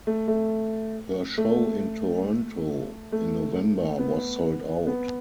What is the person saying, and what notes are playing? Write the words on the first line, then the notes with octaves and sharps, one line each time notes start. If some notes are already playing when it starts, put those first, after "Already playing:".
Her show in Toronto in November was sold out.
A3
A3
A3
A3
B3
B3